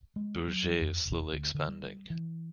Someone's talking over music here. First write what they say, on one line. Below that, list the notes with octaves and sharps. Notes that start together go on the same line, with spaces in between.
Bourget is slowly expanding.
G#3
F#3
F2
E1
D2
D3
G3
E3